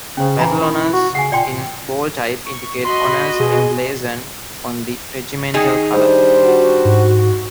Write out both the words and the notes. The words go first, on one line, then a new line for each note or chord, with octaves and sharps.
Battle honours in bold type indicate honours emblazoned on the regimental colour.
C#3 C#4 C5
E3 E4 A#5 B5
E4 A#4 C6
F#4
C#3 F#5 G#5
A#2 D5 G5 C6
C#6
F#4 D#5 B5 C6
B2 G#4
D#3 D#4 G#4
G3 D4 C5
F#4
G#2